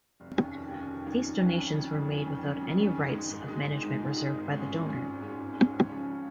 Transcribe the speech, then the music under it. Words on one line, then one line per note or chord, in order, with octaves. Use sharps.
These donations were made without any rights of management reserved by the donor.
F1
D#2 D#3 C#4
F1
D#2 D#3 C#4
F1
D#2 D#3 C#4
F1
D#2 D#3 C#4
F2
D#3 C#4
F2
D#3 C#4
F2
D#3 C#4
F2
D#3 C#4
G#2
D#3 G#3 D#4
G#2
D#3 G#3 D#4
G#2
D#3 G#3 D#4
G#2
D#3 G#3 D#4
G#1
G#2 G#3 C#4
G#1
G#2 G#3 C#4
G#1
G#2 G#3 C#4
G#1
G#2 G#3 C#4
C#2
C#3 F3 C#4